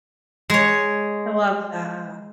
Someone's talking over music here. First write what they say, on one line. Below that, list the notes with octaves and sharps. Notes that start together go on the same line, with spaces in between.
I love that.
G#3 C#5